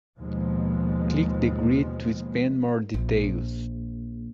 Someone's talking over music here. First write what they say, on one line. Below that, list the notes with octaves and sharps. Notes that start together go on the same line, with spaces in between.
Click the grid to expand more details.
D#2 B2 F3 G#3
A#1